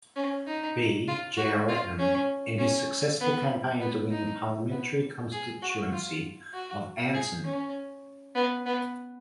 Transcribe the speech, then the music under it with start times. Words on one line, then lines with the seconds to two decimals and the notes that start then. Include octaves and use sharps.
B. Jeyaretnam, in his successful campaign to win the parliamentary constituency of Anson.
0.16 C#4
0.47 D#4
1.07 F4
1.37 F#4
1.68 F4
1.98 C#4
2.58 C#4
3.20 B3
3.80 B3
4.11 D#4
4.71 B3
5.32 G#4
5.62 F#4
5.92 F4
6.54 F#4
7.14 G#4
7.44 C#4
8.35 B3
8.66 B3